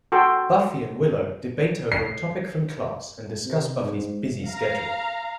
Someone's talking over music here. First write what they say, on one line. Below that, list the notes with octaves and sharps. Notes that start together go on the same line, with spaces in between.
Buffy and Willow debate over a topic from class and discuss Buffy's busy schedule.
F#4 A4 G5 C6
C7
C3
G#2
F5 A#5